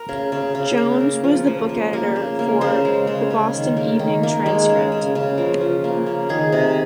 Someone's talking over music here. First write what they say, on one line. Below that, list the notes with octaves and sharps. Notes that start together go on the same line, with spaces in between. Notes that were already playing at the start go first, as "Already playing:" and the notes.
Jones was the book editor for "The Boston Evening Transcript".
Already playing: A#4
C#3
C#3
C#3
A#3 A#4
A#3
F3
F3
A#3
A#3
C#3
A#3
C#3 C5
G#3
C#3
C#3
D#3
A#3
D#3
A#3
G#3
C#3
C#3
C#3
F3 A#4
F3
A#3
C#3
D#3 G#4
C3